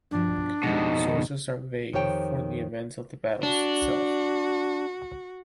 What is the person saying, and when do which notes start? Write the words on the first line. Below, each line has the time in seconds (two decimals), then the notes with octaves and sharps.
Sources are vague for the events of the battle itself.
0.11 G2 B2 F3 D4
0.63 F2 B2 G3 G#3 D#4
1.93 F2 D#3 G4 C5 C#5 G5
3.43 D4 F#4